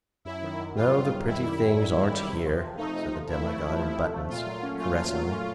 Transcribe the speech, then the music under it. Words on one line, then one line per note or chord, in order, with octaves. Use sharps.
"No, the pretty things aren't here," said the demi-god in buttons, caressingly.
F#2 E4
D#3
F#2
G3 F4
F#2
D#3
F#2 E4
G3
F#2
D#3
F#2
G3
C3
F3
C3
A3 D#4
C3
F3
C3 E4
A3
C3
F3
C3
A3
A#2 F4
F#3
C#4
A3 F4
A#2
F#3
C#4